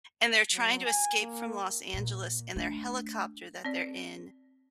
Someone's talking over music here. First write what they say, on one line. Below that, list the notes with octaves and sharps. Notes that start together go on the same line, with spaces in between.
And they're trying to escape from Los Angeles, and their helicopter that they're in
F#3
G#5
A#3
A#2
A3 D4
C4 D5